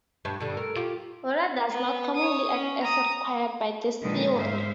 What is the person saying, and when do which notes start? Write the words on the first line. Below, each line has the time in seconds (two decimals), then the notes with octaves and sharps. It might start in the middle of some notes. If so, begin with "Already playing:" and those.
Water does not commonly act as required by this theory.
0.25 G2
0.40 G2 D3 G3
0.57 A#4
0.76 F4 G4
1.70 B3
2.16 C#5 D#6
2.50 C#4
2.81 A#5 D#6
4.01 A#2 D3 D#3 F3 G#3 B4
4.33 G#2 G#3 C5 E5 F5